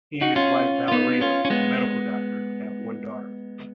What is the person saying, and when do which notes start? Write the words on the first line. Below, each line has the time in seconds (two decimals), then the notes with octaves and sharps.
He and his wife Valeria, a medical doctor, have one daughter.
0.21 D#4 F#4
0.36 C#4 F4
0.88 F4
0.92 B3 D#4
1.21 C#4 F4
1.45 C#4
1.50 G#3 B3